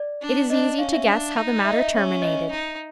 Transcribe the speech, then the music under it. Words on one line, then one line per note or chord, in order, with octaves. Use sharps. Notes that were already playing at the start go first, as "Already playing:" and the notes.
It is easy to guess how the matter terminated.
Already playing: D5
D4
D4 D#5
C#4 F5
E5
D4
D#4
E5
D#5
E5
C#4
D#5
D#4